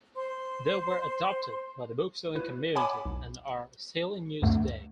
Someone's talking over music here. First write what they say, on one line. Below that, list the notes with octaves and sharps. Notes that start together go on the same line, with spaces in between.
They were adopted by the bookselling community and are still in use today.
C5 C6
E4 B4
C#5 F#5 G#5 A5 B5 D6
B1
D2 G2 D3 A3